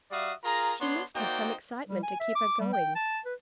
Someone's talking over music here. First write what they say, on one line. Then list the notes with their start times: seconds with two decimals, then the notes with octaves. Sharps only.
She must have some excitement to keep her going.
0.11 G3 F#4 D5 E5 F5 D#6
0.44 F4 G#4 A#4 A#5
0.80 B3 D4 C#5 C6
1.15 A#3 D#4 F#4 C5 D5 G5
1.89 G3
2.03 G#5
2.20 E5
2.36 D6
2.60 G3
2.73 G5
2.95 A5
3.25 B4